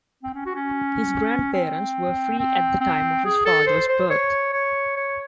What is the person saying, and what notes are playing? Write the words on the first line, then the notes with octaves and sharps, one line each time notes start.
His grandparents were free at the time of his father's birth.
C4
C#4
F#4
C#4
C4
C4
C4
G#4
A4
C5
C5
C#5
C#5
C#5